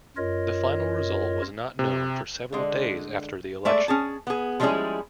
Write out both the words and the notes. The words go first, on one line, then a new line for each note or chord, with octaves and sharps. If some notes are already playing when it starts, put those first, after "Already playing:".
The final result was not known for several days after the election.
F#2 F4 A#4 C#5 D#5
C3
D3 G#3
G#3 A3 D5 E5
C#4 G#4 A5
B3 G#4
F3 G3 G#3 C#4 E4 G#4